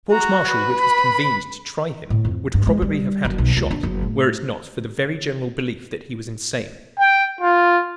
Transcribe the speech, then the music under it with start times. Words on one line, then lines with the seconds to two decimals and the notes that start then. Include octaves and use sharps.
The court-martial which was convened to try him would probably have had him shot were it not for the very general belief that he was insane.
0.11 F#4 A#5
0.47 B4
0.80 B5
2.10 A2
2.25 F2
2.54 G2
2.67 G#3
2.82 G3
3.25 F#1
3.38 B1
3.57 C#2
3.71 D4
3.83 F#1
4.02 A2
6.99 G5
7.41 F4